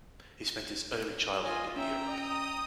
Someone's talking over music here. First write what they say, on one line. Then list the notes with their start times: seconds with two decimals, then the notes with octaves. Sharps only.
He spent his early childhood in Europe.
1.43 F4 C#5 D#5 G#5
1.76 C#4 E5 G5 A#5
2.07 D#5 D#6